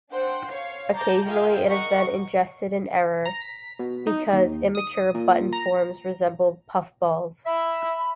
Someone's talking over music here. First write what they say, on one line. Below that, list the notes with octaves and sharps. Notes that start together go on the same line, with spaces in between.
Occasionally it has been ingested in error, because immature button forms resemble puffballs.
D4 C5 F#5 G5
C#5 F5 C7
A5 A#5 D6 G6
F4 G#4 A#4 E5 F5 G5
A#4 D#5 F#5 C#6
A#5
B6
B2
D#4
D#2
D#6
A#2
A#5
E5 B5